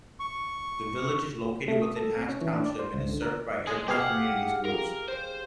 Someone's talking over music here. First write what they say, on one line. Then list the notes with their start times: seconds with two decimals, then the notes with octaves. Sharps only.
The village is located within Ash Township and is served by Airport Community Schools.
0.20 C#6
1.68 A3
1.82 D#6
1.96 A4
2.17 C4
2.29 C#4
2.41 E3
2.54 D4
2.66 D5
2.79 C5
2.94 C#2
3.09 D3
3.22 A#4
3.67 G#3 G#4
3.88 B2 G4 G#4 F5
4.00 F#5
4.65 A#4
5.08 C5